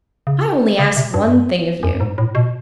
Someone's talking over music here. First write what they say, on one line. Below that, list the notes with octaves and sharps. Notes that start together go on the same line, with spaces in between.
I only ask one thing of you.
C#3
C#3
C3
G2
F#2
G#2
A2
B2